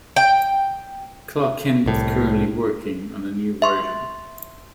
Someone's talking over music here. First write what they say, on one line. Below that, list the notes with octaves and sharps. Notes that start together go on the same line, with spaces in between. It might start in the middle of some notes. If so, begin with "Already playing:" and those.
Klark Kent is currently working on a new version.
G5
C2 A2
E5 C6 C#6